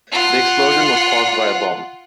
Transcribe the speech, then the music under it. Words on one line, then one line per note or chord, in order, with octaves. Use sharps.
The explosion was caused by a bomb.
F4 F#5